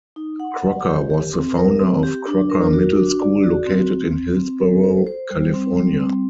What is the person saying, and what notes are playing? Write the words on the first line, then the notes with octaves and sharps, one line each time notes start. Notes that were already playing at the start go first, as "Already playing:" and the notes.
Crocker was the founder of Crocker Middle School located in Hillsborough, California.
D#4
F#5
F#5
G4
G4
C4
A#4
C4
G4
D4
A#4
F#4
D4
D5
F#4
C4
C4
C4
C4
A4
C5
C5
G3
C4
G3
C4